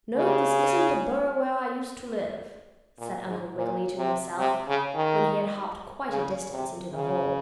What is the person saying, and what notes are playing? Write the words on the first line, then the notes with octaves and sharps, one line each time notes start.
"No, this isn't the burrow where I used to live," said Uncle Wiggily to himself, when he had hopped quite a distance into the hole.
C#3
A#2
G#2
A#2
C3
C3
C#3
D#3
C#3
C3
C#3